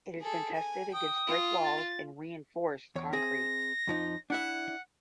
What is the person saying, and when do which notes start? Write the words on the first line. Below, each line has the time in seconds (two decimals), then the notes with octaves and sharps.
It has been tested against brick walls and reinforced concrete.
0.22 G#4 A4
0.54 G#5
0.94 G5 D#6
1.27 F4
1.64 A6
2.96 E2 C#5
3.13 C4 G#4 E5 A#6
3.87 F2 F3 D#4
4.30 D4 E4 E5 F#5